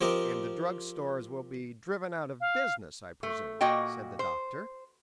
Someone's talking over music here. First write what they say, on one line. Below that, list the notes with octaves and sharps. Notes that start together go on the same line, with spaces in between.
"And the drug stores will be driven out of business, I presume," said the Doctor.
F3 C4 G4 A#4 D#5
F5
A3
A#2 A#3 F#4 D#5 G5
C5